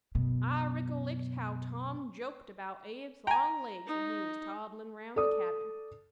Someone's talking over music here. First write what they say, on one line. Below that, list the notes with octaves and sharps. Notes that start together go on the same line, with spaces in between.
I ricollect how Tom joked about Abe's long legs when he was toddlin' round the cabin.
F#2 B2
G5 G#5 A#5
D#4
A4 D5 D#6